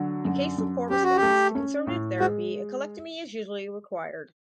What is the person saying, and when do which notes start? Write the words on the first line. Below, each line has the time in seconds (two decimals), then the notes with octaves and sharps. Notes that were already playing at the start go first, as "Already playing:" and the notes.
In case of poor response to conservative therapy, a colectomy is usually required.
Already playing: D3 F#3
0.25 F#2
0.58 F#2
0.90 C#4 G4
1.03 F#4
1.17 G4
1.22 A3
1.55 C#4
1.87 A2
2.20 G#3 F#4